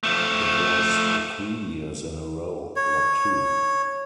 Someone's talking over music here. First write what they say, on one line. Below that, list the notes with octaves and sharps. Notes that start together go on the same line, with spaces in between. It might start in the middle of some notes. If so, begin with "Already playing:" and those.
It was three years in a row, not two.
F3 A3
C#5